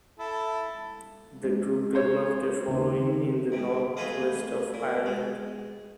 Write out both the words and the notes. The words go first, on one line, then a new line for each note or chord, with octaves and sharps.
The group developed a following in the North West of Ireland.
E4 A4
G#3 D4
C5 C#5
D#2 C#3 C4
D#3
G#2 C3
A3 F#4 G#4 B4 D#5 F5
A#2
G#3